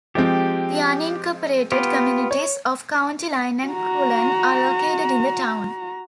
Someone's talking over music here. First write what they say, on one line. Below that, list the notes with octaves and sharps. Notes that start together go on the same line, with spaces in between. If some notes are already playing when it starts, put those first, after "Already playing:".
The unincorporated communities of County Line and Cullen are located in the town.
F3 G#3 C4 G4
B3 F4 G4
C#5
F#4 A#5